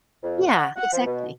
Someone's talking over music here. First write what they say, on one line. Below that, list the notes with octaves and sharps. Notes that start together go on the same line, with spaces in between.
yeah, exactly.
F2
F#5
F#5
F3
B2